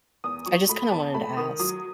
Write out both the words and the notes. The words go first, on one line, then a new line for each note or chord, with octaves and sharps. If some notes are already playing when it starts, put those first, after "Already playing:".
...I just kinda wanted to ask
E2 D#6
F#3 C#6
A3 B5
E2 A5
A3 B5
D#3 D#6
F#3 D#6